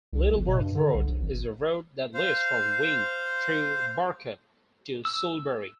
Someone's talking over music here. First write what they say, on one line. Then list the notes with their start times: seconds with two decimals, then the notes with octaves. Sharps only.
Littleworth Road is the road that leads from Wing through Burcott to Soulbury.
0.13 C2
0.34 G1
0.48 B2
0.59 G2
0.75 D3
0.94 B1
1.08 A#1
1.20 G#1
2.14 C5 F5
5.05 E6